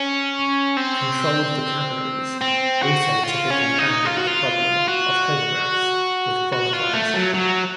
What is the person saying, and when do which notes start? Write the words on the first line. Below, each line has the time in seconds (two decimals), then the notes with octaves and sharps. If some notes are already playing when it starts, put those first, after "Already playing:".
Controlled vocabularies also typically handle the problem of homographs, with qualifiers.
Already playing: C#4
0.77 C4
2.41 C4
2.83 F#4
3.24 F4
3.50 C#4
3.78 D#4
4.05 F4
4.17 F#4
4.27 F4
4.88 F#4
6.52 F#4
6.73 F4
6.93 A3
7.14 F#3
7.34 F#3